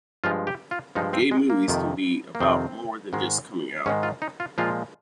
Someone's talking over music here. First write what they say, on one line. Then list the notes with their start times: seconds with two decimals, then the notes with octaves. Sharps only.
Gay movies can be about more than just coming out.
0.24 G2 F3 G#3 F4
0.47 G4
0.71 F4
0.95 G2 F3 G#3 D#4
1.13 C4
1.31 G#3
1.50 A#3
1.68 F2 C3 D#3
2.35 A#3
2.40 F2 C3 D#3 C4
3.13 G#2 D#3 G#3
3.86 G#2 D#3 G#3 C#4
4.03 F4
4.22 D#4
4.40 F4
4.58 A#2 F3 G#3 F4